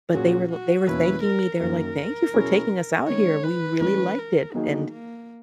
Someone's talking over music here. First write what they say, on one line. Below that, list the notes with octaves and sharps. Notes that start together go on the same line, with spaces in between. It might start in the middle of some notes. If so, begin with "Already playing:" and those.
but they were l they were thanking me, they were like, "Thank you for taking us out here. We really liked it." and
A#2 F#3 C#4 F#4 G#4
F#4
E2 B2 A#3 C#4 E4 B4
A#4
F#2 D#3 A#3 A#4
B2 F#3 C#4 E4 G#4
D#3 G#3 C#4 C#5
B4
E3 G#3 C#4 B4
A#4
D#3 F#3 A#3 B3 D#4 G#4
A#3